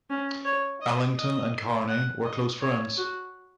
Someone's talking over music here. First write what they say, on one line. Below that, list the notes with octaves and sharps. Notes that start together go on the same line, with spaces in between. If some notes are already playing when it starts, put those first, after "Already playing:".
Ellington and Carney were close friends.
C#4
C#5
D#5
D#5
F#5
D#5
C#5
F#4